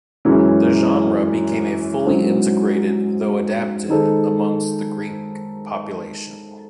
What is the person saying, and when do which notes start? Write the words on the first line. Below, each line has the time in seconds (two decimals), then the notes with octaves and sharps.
The genre became a fully integrated, though adapted, amongst the Greek population.
0.25 F#2 E3 G#3 C#4
2.06 G#2 F#3 C#4 E4 C5
3.89 D#3 G#3 D#4 A4 C5